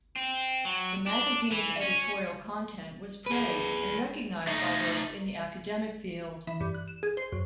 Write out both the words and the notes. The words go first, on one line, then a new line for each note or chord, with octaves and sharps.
The magazine's editorial content was praised and recognized by those in the academic field.
C4
F#3
D4
E3
C#4
G#4 B4
A3 D#4
E3
G2
F#6
E7
G#4
C5
F#2